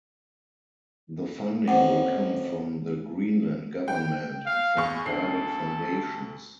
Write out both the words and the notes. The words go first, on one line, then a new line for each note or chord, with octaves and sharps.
The funding will come from the Greenland Government and from private foundations.
A1 F2 F#5
G5
F5
E2 C#6
D2 A4 C7